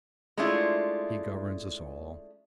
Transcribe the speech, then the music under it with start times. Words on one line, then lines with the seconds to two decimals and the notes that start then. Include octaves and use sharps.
He governs us all.
0.37 G#3 A3 C#4 D4 E4 F4